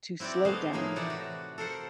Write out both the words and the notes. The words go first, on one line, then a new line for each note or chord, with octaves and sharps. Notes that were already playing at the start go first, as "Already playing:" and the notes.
to slow down,
C4 E4 F#4 G4 D5
G#3 A3 B3 C5 D#5 F5
A2 F3 A#3 D#4 G#4
C3 E3 A4 D5 E5 F#5
F#4
A4 A#4 C5 F#5